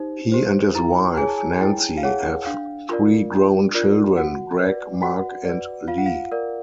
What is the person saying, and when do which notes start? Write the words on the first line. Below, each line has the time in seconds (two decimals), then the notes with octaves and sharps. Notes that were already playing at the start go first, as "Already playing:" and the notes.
He and his wife, Nancy, have three grown children, Greg, Mark and Lee.
Already playing: D#4 G4 C5
0.32 G4 C5
0.75 E4 A#5
1.17 G#4 C#5 G#5
1.28 A5
1.38 G#5
1.61 E4 G5
1.97 F5
2.03 G#4 C#5 F#5
2.46 D4 F5
2.89 F4 A#4 D5
3.32 D4
3.74 F4 A#4 D5
4.17 F#4 F#5
4.59 B4 D5
5.02 F#4 F#5
5.45 B4 D5
5.88 F4 F5
5.98 F#5
6.06 F5
6.32 A#4 D5